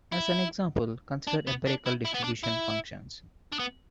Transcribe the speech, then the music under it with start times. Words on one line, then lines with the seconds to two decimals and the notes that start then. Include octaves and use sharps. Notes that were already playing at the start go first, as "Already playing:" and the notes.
As an example, consider empirical distribution functions.
0.12 E4
1.27 D4
1.47 B3
1.67 D4
1.86 E4
2.05 E4
2.15 B3
2.24 D4
2.43 E4
3.52 D4
3.59 B3